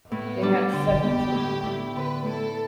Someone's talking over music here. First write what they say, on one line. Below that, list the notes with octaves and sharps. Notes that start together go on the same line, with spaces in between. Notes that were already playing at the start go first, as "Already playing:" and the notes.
They had seven children.
A2 B3
G3 D4
D3 G4
B3 D4
A2
A3 E4
D3 B4
A3 E4 A4